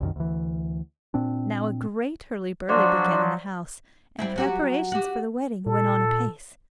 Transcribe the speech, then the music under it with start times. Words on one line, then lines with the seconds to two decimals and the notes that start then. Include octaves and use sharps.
Now a great hurry-burly began in the house, and preparations for the wedding went on apace.
0.01 C2 F#2 D#3
0.16 D2 E3
1.14 A#2 C4 D4
2.69 F3 F#3 D4 F#4 C5 D5 C6
4.19 G3 C4 E4
4.36 F#3 F#4 G4
4.92 F#4 G4
5.66 A#2 A4